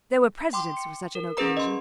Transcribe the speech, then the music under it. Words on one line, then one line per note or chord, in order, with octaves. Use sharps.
There were precedents for such an occasion.
G5 C6 D6
C#7
A#4
C#4 G#4 B4 A#5
D#5 C6